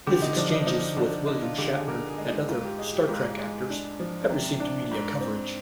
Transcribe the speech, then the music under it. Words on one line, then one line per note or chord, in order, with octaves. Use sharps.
His exchanges with William Shatner and other "Star Trek" actors have received media coverage.
D3 G4
D#4
F3 D4
D#4
F3 D#4
D3 D4
D4 D#4
F4
D3 G4
G#4
D3 A#4
G#4
G#3
D#4
G#2 F4
G4
G#3 G#4
G4
G#2 F4
G#3
D4
F3
C3
D4
G#2
C4